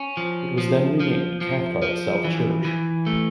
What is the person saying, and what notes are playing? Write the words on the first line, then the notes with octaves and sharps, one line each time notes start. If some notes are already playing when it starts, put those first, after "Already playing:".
It was then renamed Cathcart South Church.
Already playing: C#4
F3
F3
F3
F3
F3
E3
E3
A3